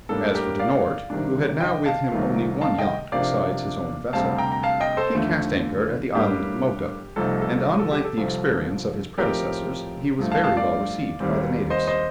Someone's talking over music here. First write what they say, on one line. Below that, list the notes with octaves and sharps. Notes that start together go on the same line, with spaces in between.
As for De Noort, who had now with him only one yacht besides his own vessel, he cast anchor at the island of Mocha, and, unlike the experience of his predecessors, he was very well received by the natives.
A2 G3 A#3 D4 A4
G4 A#4
D5 F5
C3 D#3 G3 D4
D#5 G5
F5 A5
C2 C3 D#3 A3 D#4
F5 A5
D#5 G5
C3 F3 A#3 D4 D5 F5
D2 C3 G3 C4 F5 A5
G5 A#5
A#5
F5 A5
D#5 G5
A4 C5
D#2 D3 F3 A3
A2 G3 A#3 D4 G4
C2 C3 F3 A3 D#4 A4
A4
A4
G4
A4
C2 C3 F3
A2 F3 C4 D#4 G4 A#4
G2 F3 A3
F5 A5
F5 A5
D5 F5
D#2 D#3 G3 C4
C5 D#5
C5 D#5